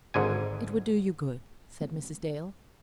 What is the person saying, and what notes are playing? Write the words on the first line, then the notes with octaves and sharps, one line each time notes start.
"It would do you good," said Mrs. Dale.
G#1 G#2 D3 G#5